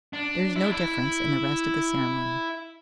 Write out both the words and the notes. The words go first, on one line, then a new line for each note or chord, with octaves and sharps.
There is no difference in the rest of the ceremony.
D4
E4
D4
E4